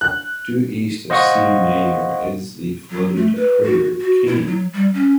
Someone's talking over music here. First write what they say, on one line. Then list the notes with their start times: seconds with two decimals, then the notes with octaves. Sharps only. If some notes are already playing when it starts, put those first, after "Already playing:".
Due east of C. Mayer is the flooded crater Kane.
0.01 F#6
1.10 C5 D#5 F5 F#5 C#6
2.90 F#3
3.16 A3
3.35 B4
3.63 F#4
4.01 F#4
4.26 E4
4.47 F#3
4.73 G3
4.94 C#4